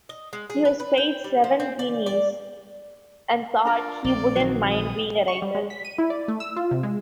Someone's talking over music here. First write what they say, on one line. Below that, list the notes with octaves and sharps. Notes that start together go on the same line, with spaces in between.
He was paid seven guineas, and thought he "wouldn't mind being a writer".
D#5
G#3
G#4
B4
B4
G5
G3
F3
C4
D5
D5
D4 F4 A#4 D5
A#1 C4 D5
D#3 F#3
B3 D#6
C#6
G3
G#3
B6
D#7
E4
D5
A3
E6
F4
C3
G#3